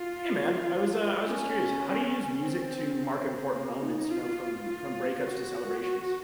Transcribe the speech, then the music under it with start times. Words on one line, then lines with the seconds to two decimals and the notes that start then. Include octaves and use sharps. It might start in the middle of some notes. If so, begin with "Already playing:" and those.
Hey, man. I was, uh, I was just curious, how do you use music to mark important moments, you know, from from breakups to celebrations?
Already playing: F4
1.26 C#4
2.40 C4
2.97 C4
3.54 A#3
3.82 D#4
4.10 F4
4.68 F4
5.25 F#4